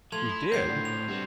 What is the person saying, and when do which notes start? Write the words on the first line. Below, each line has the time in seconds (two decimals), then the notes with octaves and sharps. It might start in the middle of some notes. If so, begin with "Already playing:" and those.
"You did!"
0.12 F3 A3 C6 G#6 F7
0.30 E4
0.52 A2 C#3 F#3 C4 G6 C7
0.67 A#2 D3
0.85 F7
1.08 G2 C3 G3 F#4 A4